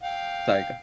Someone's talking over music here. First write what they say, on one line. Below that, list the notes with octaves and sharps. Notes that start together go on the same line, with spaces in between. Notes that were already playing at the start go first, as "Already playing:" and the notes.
Sorry, go ah
F5 G5